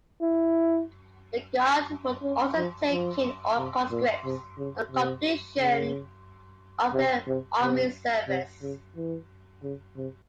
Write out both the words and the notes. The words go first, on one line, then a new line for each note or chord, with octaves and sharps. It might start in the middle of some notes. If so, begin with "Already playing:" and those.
The Garde would also take in all conscripts on completion of their army service.
E4
C#4
F3
F3
C3
A#2
C3
C#3
C3
C#3
C3
C3
C3
C3
C#3
E3
C#3
C3